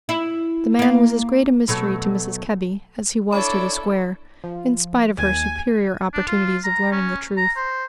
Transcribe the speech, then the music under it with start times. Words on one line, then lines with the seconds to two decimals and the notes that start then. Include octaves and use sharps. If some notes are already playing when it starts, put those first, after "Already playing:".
The man was as great a mystery to Mrs. Kebby as he was to the square, in spite of her superior opportunities of learning the truth.
0.09 E4
0.79 A#3 F5
1.68 B2 F#3 A3
3.32 D4 E4 A4 C#5 D5 B5
4.44 F3
5.18 D#2 G#5
6.14 D4
6.28 F4
6.64 A#5
6.92 C#4
7.37 A#5
7.56 C5